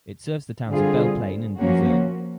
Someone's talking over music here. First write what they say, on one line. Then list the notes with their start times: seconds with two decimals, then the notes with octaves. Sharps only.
It serves the towns of Belle Plaine and Luzerne.
0.69 D3 G3 C4 F4 G#4
1.58 F3 A#3 C#4 F#4